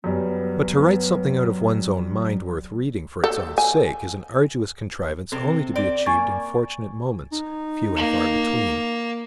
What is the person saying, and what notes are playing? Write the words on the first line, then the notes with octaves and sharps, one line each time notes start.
But to write something out of one's own mind, worth reading for its own sake, is an arduous contrivance only to be achieved in fortunate moments, few and far between.
F#2 G3 B3
A4
G#5
C3 C4 A4
C4 D5
A#3 G#5 C#6 A6
D#4
A#3